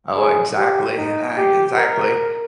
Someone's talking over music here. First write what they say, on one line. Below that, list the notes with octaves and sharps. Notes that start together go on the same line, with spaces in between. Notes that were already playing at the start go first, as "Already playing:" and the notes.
Oh exactly, I exactly.
G#4
G4
D#4
G4
A#4